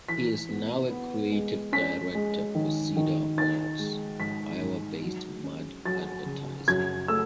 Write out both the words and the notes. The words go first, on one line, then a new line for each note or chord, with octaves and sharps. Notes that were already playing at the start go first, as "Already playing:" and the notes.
He is now a creative director for Cedar Falls, Iowa-based Mudd Advertising.
E3 B6
B3
B3
G#3
C#4 B6
G#3
D#3
D#3
D#4 A6
G#3
G#2 B6
G#2
F#3
C#4
F#3 A6
C#3
F#2 G#6
A3 E6